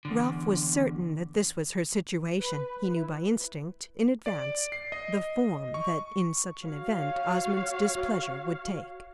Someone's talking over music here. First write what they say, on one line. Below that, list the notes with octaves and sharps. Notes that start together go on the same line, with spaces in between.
Ralph was certain that this was her situation; he knew by instinct, in advance, the form that in such an event Osmond's displeasure would take.
E2 D3
B4
E4
D5
C7
D#5
C#6
F#4 C#5 F5